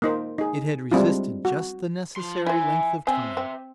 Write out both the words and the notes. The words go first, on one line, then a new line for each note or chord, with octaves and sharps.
It had resisted just the necessary length of time.
A#3 D#4 C5
D#4 G#4
G3 G#3 C4 D4 E4 F4
F#4
F3 C6
E4 C5 E5 G#5
C4 C5 E5 G#5
C4